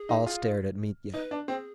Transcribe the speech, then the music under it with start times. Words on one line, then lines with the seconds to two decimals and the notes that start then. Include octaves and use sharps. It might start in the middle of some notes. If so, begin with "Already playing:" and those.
All stared at Mitya.
Already playing: G#4
0.09 D#4
0.26 F4
1.14 D#4 B4
1.31 D4
1.48 C4 G#4